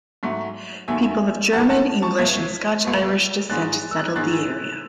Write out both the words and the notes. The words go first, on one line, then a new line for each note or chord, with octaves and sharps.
People of German, English, and Scotch-Irish descent settled the area.
G#2 F#3 A3
D#2 D#3 F#3 A3 E5 G#5
D#2 D#3 F#3 A3 F#5 A5
F#5 A5
A5 C#6
C#2 B2 A3 G#6 B6
C#2 B2 A3
G#2 D#3 G#3 F#6 A6
E6
F#6
G#6
G#2 D#3 G#3 F#6 A6